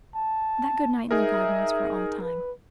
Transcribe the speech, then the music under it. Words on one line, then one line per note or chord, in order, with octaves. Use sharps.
That good night in the garden was for all time.
A5
D#4 G#4 A#4 E5
B4